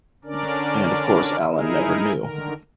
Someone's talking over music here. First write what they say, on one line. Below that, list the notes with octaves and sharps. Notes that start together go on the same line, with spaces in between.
And of course Alan never knew.
D3 C#4 D4 A#4 D5
D#4 E4 G#4 A#4
D3 D#3 A#4